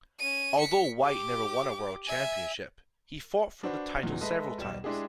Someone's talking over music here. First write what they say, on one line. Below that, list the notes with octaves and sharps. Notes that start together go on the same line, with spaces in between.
Although White never won a world championship, he fought for the title several times.
C#4 D#7
B6 C#7
G4 D6
E5 G#5
D4 F#4 B4 C5
E2 A#2 D#3 F#3
G#3 A4 B4 D#5 E5
B1 G3 E7
G#3 D4 E4 G4 G#4